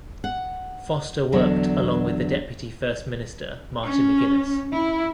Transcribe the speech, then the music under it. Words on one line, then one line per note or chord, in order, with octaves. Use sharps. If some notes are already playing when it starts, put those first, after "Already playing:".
Foster worked along with the deputy First Minister Martin McGuinness.
F#5
E2 D3 F#3
C#4
E4